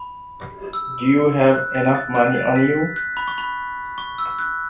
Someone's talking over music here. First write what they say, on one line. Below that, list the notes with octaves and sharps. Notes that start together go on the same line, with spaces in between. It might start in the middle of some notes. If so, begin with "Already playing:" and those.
Do you have enough money on you?
Already playing: B5
E6
F#6
A6
A6
F#6
A6
B6
F#6
B5
C#6
B5
C#6
E6
F#6